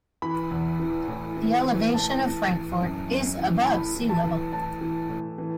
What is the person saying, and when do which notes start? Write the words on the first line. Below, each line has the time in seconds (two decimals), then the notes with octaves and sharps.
The elevation of Frankfort is above sea level.
0.22 E3 B5
0.51 E2
0.80 E3
1.08 A2
1.37 E3
1.66 E3
1.94 A2 A5
2.23 A2
2.51 E3
2.81 F#2
3.09 F#2
3.38 E3
3.62 A5
3.66 A2 B5
3.95 E3
4.09 A5
4.24 E3
4.52 A2 A5
4.81 E3
5.10 A2
5.38 E3